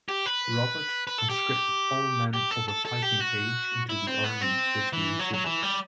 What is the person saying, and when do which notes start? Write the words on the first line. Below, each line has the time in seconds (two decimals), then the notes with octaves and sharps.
Robert conscripted all men of a fighting age into the army, which he refitted.
0.09 G4
0.26 B4
1.07 B4
1.18 A4
1.30 G4
2.34 G4
2.51 A4
2.68 A4
2.85 A4
3.02 G4
3.20 F#4
3.89 E4
4.07 C4
4.24 B3
4.41 C4
4.93 E3
5.19 F#3
5.33 F#3
5.45 E3
5.63 G3